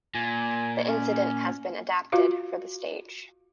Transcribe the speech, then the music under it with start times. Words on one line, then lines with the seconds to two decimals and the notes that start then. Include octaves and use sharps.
The incident has been adapted for the stage.
0.15 A#2 G#5
0.88 C#4
2.12 F4 F#4 F5